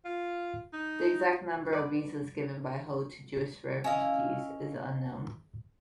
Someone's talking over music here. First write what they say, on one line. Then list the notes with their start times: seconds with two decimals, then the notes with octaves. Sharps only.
The exact number of visas given by Ho to Jewish refugees is unknown.
0.05 F4
0.73 D#4
1.73 B4 D5
3.84 C#4 E4 D#5 F5